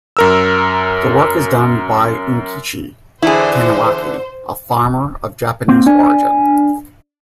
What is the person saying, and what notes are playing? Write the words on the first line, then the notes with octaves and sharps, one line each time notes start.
The work is done by Unkichi Taniwaki, a farmer of Japanese origin.
F#2 A#4 E6
E2 D3 E4 G#4 C5
A#3 C4
D4 G#5